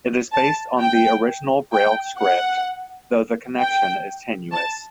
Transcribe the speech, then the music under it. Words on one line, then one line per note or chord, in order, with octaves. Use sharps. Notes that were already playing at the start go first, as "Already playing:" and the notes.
It is based on the original braille script, though the connection is tenuous.
A5
G5
G5
F#5
G5
A5